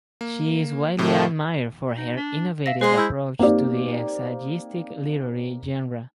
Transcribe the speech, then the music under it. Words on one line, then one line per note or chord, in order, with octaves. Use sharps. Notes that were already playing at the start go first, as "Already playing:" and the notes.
She is widely admired for her innovative approach to the essayistic literary genre.
A#3
A2 C3 D#3 A3
D#4
D4
E5 F5 A#6
G#3 C5 C6 C7
E4 E6 G6
A#3 C4 D#4 G4 D5